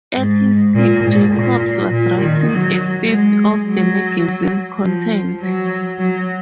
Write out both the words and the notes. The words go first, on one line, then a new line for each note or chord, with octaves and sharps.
At his peak, Jacobs was writing a fifth of the magazine's content.
G#2
A#2
G#2
A#2
A#2
D#3
F#3
G#3
F#3
F3
F#3
F#3